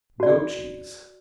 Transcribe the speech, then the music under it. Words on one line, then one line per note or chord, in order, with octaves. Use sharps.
Goat cheese.
F#4 D5